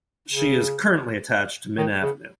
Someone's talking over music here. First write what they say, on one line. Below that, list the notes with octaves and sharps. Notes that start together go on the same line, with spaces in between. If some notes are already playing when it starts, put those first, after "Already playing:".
She is currently attached to Mint Avenue.
C#3
D#3
C#3